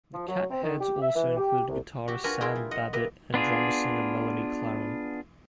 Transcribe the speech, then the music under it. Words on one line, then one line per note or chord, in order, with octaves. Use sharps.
The Catheads also included guitarist Sam Babbitt and drummer-singer Melanie Clarin.
F3
F#3
C4
D#3
G4
E5
E3
G4
C2
F#4 G4
D4 F4 F#4 A#4 B4 G#5
E4 F4 G#4 G5 A#5 C6
G3
D#5 F#5
A#3 G4 B4 D#5 E5
B3 D4 F4 G#4